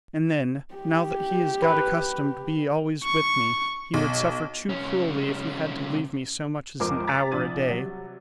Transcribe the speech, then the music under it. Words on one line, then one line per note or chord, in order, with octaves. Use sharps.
And then, now that he has got accustomed to be always with me, he would suffer too cruelly if he had to leave me so much as an hour a day.
G4
B4
C#6
B1
C2 C#4
A#1 F2 G#2 A#4 C5 D6
A#5 A6 B6
A#1 F3 D4 A6 D#7
C3 F#3 G3